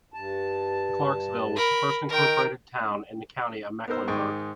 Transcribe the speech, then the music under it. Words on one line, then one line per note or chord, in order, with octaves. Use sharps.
Clarksville was the first incorporated town in the county of Mecklenburg.
G2 A5
A#4 B5
D#3 D#4 A#4 G5
B3 D#4 A#4 C5 E6
G#2 D#3 G#4 G5 G#5 C#6